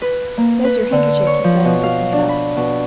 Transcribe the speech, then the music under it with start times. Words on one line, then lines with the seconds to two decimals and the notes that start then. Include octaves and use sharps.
"There's your handkerchief," he said, picking it up.
0.02 B4
0.37 A#3
0.65 B4
0.92 D3
1.27 C#5
1.44 F3
1.65 B2
1.83 F5
2.13 D4
2.29 B5
2.56 B2